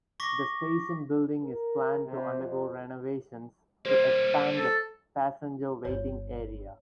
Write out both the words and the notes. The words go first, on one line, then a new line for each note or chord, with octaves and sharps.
The station building is planned to undergo renovations to expand the passenger waiting area.
C#6 D6 A#6 B6
A#4
C3
F2
G3 A#3 C5
A4
G1 F4 C#5